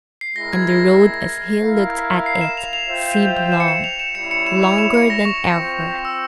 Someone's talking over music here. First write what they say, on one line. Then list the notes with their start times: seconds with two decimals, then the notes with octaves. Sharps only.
And the road, as he looked at it, seemed long--longer than ever.
0.21 C7
0.36 G#3 E4 A#4 A#6
0.53 G#6
0.68 A#6
1.62 E4 A#4 F5
2.26 C7
2.41 E7
2.57 F7
2.73 F7
2.89 F4 C5 E5 G5
3.52 E7
3.60 C#7
3.68 E7
3.84 F7
3.99 E7
4.15 G3 C#4 E4 C#7
4.31 C#7
4.46 E7
4.63 F7
4.78 E7
4.94 C#7
5.10 A#6
5.25 C#6
5.41 C4 F4 C5 G5
6.05 E6